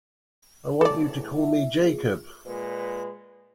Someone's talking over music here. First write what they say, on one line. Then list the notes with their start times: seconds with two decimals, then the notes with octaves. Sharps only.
I want you to call me Jacob.
0.81 E2 A2 A4 D5
1.35 E4 E5
1.76 A#3 F4 G#4
2.46 A#2 G#3 B4